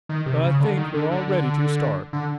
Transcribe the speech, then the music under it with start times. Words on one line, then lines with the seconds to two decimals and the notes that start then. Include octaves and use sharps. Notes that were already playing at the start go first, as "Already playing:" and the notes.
But I think we're all ready to start.
0.09 D#3
0.26 C3
0.43 C#3
0.60 D3
0.77 D#3
0.94 D3
1.11 D3
1.28 D3
2.13 D3